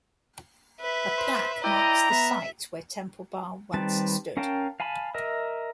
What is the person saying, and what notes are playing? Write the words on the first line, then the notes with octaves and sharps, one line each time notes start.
A plaque marks the site where Temple Bar once stood.
B4 E5
C5
E4 D5 D#5 G5 A#5
B3 E5
D#3 G3 C4 B4 A5
C#4 A#4 F5 G5 A5
F5 G#5 A5 B5
A#4 D#5 E5